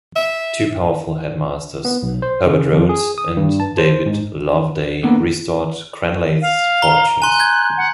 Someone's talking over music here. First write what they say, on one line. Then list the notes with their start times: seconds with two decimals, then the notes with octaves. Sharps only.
Two powerful headmasters - Herbert Rhodes and David Loveday restored Cranleigh's fortunes.
0.16 E5
1.85 B3
2.03 B1
2.22 C5
2.46 C#3
2.72 F2
2.89 G#4
3.18 D#6
3.37 G2
3.60 A5
3.78 C5
4.06 G#2
5.03 D3 A#3 B3 B4
6.41 F5
6.82 A#5 G7
7.22 G#5 C6 F#6
7.40 G6 G#6
7.77 F#5